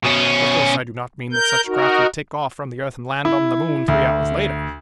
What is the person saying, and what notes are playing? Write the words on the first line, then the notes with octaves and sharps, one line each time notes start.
Of course, I do not mean that such a craft would take off from the earth and land on the moon three hours later.
B2 C#4
A#4 G6
D#4 F#4 A#4
E4
D2